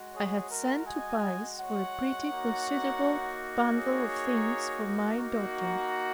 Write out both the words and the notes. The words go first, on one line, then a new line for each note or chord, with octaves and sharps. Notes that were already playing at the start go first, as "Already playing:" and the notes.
I had sent to Paris for a pretty considerable bundle of things for my daughter.
Already playing: G#3 F#4
G#4 C#5
A#4
D#5 G#5
C#5 F#5
A#3 D#4 F#4
G#4 C#5
A#3 D#4 F#4